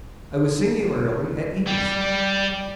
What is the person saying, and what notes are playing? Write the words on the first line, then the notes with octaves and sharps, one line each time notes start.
I was singularly at ease.
G3